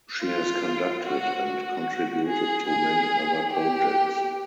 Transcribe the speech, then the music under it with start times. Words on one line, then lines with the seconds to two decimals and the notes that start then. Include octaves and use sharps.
She has conducted and contributed to many other projects.
0.22 F4
1.04 F#4
1.45 F#4
2.27 G#4
2.68 G#4
3.51 G4